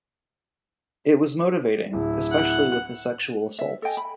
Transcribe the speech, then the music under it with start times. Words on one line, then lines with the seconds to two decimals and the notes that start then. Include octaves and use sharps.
It was motivating, especially with the sexual assaults.
1.93 D1 E4
2.31 F#5
3.59 E5
3.82 A4 D#5 G5 G#5
3.97 B5